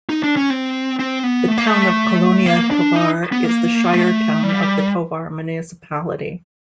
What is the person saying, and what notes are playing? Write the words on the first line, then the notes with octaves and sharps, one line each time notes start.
The town of Colonia Tovar is the shire town of the Tovar Municipality.
D#4
D4
C#4
C4
C4
B3
A3
A#3
A3
A#3
D4
D#4
B3
A#3
A3
G3